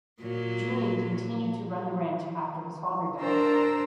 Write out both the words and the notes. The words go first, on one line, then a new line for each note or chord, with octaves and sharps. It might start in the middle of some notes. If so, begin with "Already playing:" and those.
Julian continued to run the ranch after his father died.
A#2 F#3
D4 A#4 C5 A#5 E6